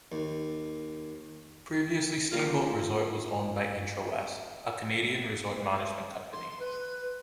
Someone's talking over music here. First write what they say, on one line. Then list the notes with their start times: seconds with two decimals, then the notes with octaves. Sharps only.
Previously Steamboat Resort was owned by Intrawest, a Canadian resort management company.
0.12 D#2
2.31 G3 A#3 F4
6.32 C6
6.59 B4